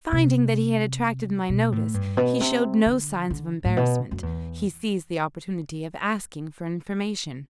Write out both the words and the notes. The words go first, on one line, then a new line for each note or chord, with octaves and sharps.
Finding that he had attracted my notice, he showed no signs of embarrassment--he seized the opportunity of asking for information.
C3
B2
A2
G2
B2
C3
D3
D3
A2
B2
F#2
E2